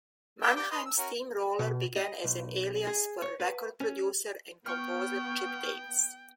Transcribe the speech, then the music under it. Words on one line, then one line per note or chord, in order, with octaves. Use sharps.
Mannheim Steamroller began as an alias for record producer and composer Chip Davis.
D5 E5 G5
G4 D5 G5
B4 D#5 C6
E6
C#4 F#4 A#4
B2
D#5
B1
G#4
C#5
B4
C#4
B3 G5 C#6 F6